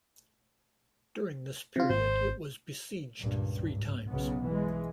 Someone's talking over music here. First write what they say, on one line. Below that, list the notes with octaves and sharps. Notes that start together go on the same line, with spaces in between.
During this period it was besieged three times.
C3 F4
G#1 C5
C#2 G2 A#2
G#2
B1 C#3 B3
E3 G#3